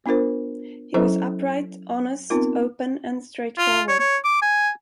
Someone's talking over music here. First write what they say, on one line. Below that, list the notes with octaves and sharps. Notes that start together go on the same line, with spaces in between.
He was upright, honest, open and straightforward.
B3 D4 F4 A#4 C5
F#3 C#4 E4 A4 C5 D#5
B3 C4 D#4 F4 A#4
F4
C#5
C#5
D6
G#5